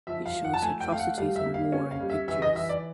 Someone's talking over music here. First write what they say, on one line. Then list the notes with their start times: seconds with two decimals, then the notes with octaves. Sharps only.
It shows the atrocities of war in pictures.
0.07 F3 E5
0.26 F5
0.35 F3
0.44 F#5
0.54 A5
0.62 A3 G#5
0.81 G5
0.90 A3 F5
0.99 F#5
1.18 G3 F5
1.36 E5
1.45 A#3
1.54 F5
1.72 C#4
1.91 F5
2.01 G3
2.10 E5
2.28 E3 E5
2.42 D#5
2.55 E3 E5
2.69 D5